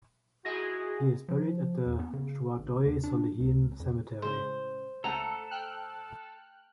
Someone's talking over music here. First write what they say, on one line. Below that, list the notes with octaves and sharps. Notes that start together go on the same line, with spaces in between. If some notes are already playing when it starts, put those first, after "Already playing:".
He is buried at the Shuadoi Solehin cemetery.
G#3 D#4 E4 F#4 G#4 A#6
F3
E2
B3
C#3
G#1
D#2
D4
C#2
F2
A2 C#3 G#3 C5
C#2 A3 A4 F#5 A#5
G5 F6 F#6